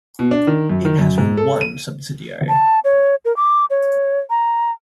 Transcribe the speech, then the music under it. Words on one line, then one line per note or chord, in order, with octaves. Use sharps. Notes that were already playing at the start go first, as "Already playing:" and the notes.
It has one subsidiary.
B2
D4
D#3
F#2
D#3
F#2
G#2
A4
D#7
A5
C#5
A#4
D6
C#5
A#5